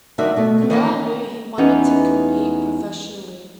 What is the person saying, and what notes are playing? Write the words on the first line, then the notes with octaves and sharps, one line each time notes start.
Miller knew he wanted to compete professionally.
C3 D#3 G3 D4 F#4 E5
B2 A3
D#3 E3 A#3 C#4
E2 B3 C#4 D#4 G4